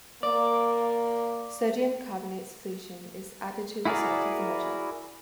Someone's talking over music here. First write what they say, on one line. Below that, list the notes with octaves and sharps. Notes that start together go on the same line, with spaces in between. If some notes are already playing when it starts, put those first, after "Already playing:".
Sodium carbonate solution is added to the salt of the metal.
A#3 D5
E4 F#4 G#4 A#4 D5